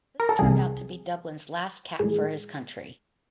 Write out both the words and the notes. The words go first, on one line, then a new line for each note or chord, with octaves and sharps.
This turned out to be Dublin's last cap for his country.
A#4
A4
C2 C3 E3 G3 G#4
A2 E3 G#3 G#4